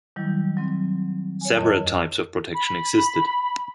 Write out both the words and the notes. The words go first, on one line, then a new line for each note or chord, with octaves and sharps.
Several types of protection existed.
D#3 F#3 G3 E4
F#3 C4
C#5 G#5
F2 A#4 D#5
B5